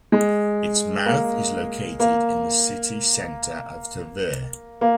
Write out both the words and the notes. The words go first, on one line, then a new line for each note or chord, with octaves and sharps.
Its mouth is located in the city center of Tver.
G#3
A#3
A#3
A#3